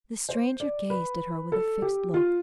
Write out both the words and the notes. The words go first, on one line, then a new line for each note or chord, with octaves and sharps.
The stranger gazed at her with a fixed look.
C5
D5
B4
A4
G4
F4